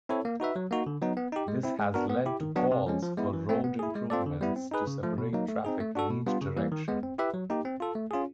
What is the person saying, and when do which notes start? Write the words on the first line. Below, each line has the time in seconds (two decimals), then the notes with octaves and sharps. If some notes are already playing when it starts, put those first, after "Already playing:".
This has led to calls for road improvements to separate traffic in each direction.
0.09 C4 E4 A4 C#5
0.25 A#3
0.40 D#4 F#4 B4 E5
0.56 F#3
0.71 A#3 D#4 F#4
0.86 D3
1.02 F#3 B3 D#4
1.17 B3
1.32 D#4 G4
1.48 G#3
1.63 C4 E4
1.79 G#3
1.94 B3 D4 F#4 A#4
2.09 B3
2.26 E4 G4
2.41 D#3
2.56 F#3 B3 D4 F#4
2.71 C3
2.86 F3 G#3 C#4
3.02 F3
3.17 G#3 B3 E4
3.33 E3
3.49 A3 C4
3.64 B3
3.79 E4 G#4
3.95 G#3
4.10 C4 F4 A4 D5
4.26 D3
4.41 G3 B3 E4
4.56 C4
4.71 D#4 G#4 B4
4.87 C#3
5.03 F3 A3
5.18 B2
5.33 F#3 A#3 D#4
5.48 A3
5.65 C4 D#4 G#4
5.80 A3
5.95 D4 F#4 A4
6.10 B2
6.26 G3 B3 D4 F4
6.41 C#3
6.57 E3 G3 A#3
6.72 D#3
6.88 G#3 B3
7.03 C4
7.18 E4 G4 B4 E5
7.33 F#3
7.50 A#3 D#4 G4
7.65 C4
7.80 F4 A4
7.95 A3
8.11 C#4 F4 G#4